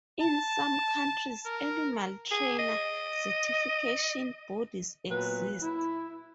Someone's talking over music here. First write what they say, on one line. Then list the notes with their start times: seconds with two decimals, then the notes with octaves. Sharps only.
In some countries animal trainer certification bodies exist.
0.22 A5
1.46 A#4
2.31 G#4
2.59 D#5
5.10 A#2 F#3 B3 F#4 B4
5.62 E4